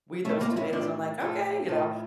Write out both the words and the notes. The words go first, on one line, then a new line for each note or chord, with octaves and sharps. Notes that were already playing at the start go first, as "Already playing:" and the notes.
weed those tomatoes." I'm like, "Okay," you know?
A2 G3 A3 C#4
A#3 D4
F4
C#4 E4
A2 G3 D4 F4
A2 F3 F4 A4
A2 F3 F4 A4